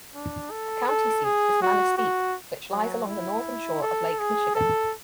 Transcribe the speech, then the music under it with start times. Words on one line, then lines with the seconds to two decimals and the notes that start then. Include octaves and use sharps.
The county seat is Manistique, which lies along the northern shore of Lake Michigan.
0.15 D4
0.51 A4
0.88 A4
1.24 G#4
1.62 F#4
1.98 F#4
2.71 F#3
3.08 E4
3.82 A4
4.19 G#4
4.55 A4